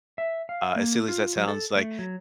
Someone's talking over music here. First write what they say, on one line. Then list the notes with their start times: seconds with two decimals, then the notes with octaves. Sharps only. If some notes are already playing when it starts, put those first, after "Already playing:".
Uh, as silly as that sounds like,
0.18 E5
0.49 F5
0.76 A#3
1.08 F4
1.36 F#3
1.48 A4
1.76 A3
1.99 F#3